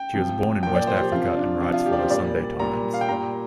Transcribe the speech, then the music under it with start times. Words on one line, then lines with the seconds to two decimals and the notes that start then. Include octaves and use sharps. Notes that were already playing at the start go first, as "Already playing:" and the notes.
She was born in West Africa and writes for "The Sunday Times".
Already playing: G5
0.14 C3 F3
0.63 A#2 F3 G5
0.75 D5
0.87 C5
1.00 G4
1.12 C3 F3 F4
1.37 D4
1.61 C3 F3 D4
1.73 F4
1.86 G4
1.93 D5
1.98 C5
2.10 A#2 G3 D5
2.59 A#2 G3 A#5
2.94 F5
3.01 G5
3.09 A#2 G3 A#5